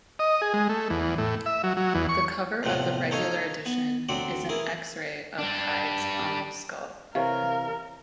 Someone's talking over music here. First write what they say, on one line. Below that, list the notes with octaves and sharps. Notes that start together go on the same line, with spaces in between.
The cover of the regular edition is an X-Ray of Hyde's own skull.
D#5
G#4
G#3
A3
E2
A2
E5
F#3
F#3
E2
C#6
E2 A2 C3 F3 B3
D#4 A4 C#5 F5 G#5
B3
D2 F#3 C4 D5 F#5
E3 E4 G#4 A#4
G3 D4
C3 E3 A#4 C#5 F5